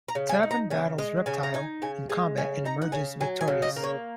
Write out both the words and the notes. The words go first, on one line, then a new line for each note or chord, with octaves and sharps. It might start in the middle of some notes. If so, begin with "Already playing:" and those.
Taven battles Reptile in combat and emerges victorious.
A#5
C#3
G#5
D#4
A#5
C#3 G#5
G#3 D#5
C#3 G#5
A#5
D#4 G#5
C#3 G#5
G#3 G#5
C#3 G#5
D#4 A#5
F#5
C#3 G#5
F#3 G#5
G#5
C#3
D#5
A#3
C#5